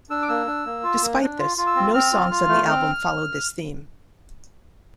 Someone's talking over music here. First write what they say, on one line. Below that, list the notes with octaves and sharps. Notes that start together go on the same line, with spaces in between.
Despite this, no songs on the album follow this theme.
D4 E6
D6
A#3 E6
D4
A#3
F4
A#3
D4
F4
F4
E6
C4
C4 F6
F4
F4
A3
C4